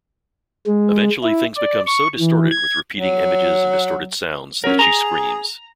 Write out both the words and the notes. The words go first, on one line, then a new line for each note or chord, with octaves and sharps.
Eventually things become so distorted with repeating images and disorted sounds that she screams.
G#3
E4
D5
C#6
E3
G#6
F#3
F#3 C#4 A#4
G#4 A#5